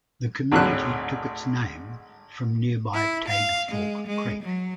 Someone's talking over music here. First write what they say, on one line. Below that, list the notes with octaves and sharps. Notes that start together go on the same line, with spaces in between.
The community took its name from nearby Tague Fork creek.
G#1 D2 A2 F#6
E4
F5
G#3
G#3
F#3